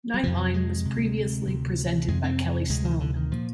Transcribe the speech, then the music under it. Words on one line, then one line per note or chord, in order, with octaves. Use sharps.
"Nightline" was previously presented by Kellie Sloane.
G3
F2 C3 F3
G#3
D2 C3
D2 C3
F2 C3 G#3
C4
D2 C3 G#3
D#3
D3
D#3
A#2 F3